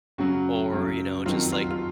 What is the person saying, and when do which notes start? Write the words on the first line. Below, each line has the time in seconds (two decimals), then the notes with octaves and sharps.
or, you know, just, like,
0.18 F#2 C#3 F#3 F#4
0.72 F#2 C#3 F#3
1.26 F2 D#3 F#3 F4
1.52 F4
1.71 F4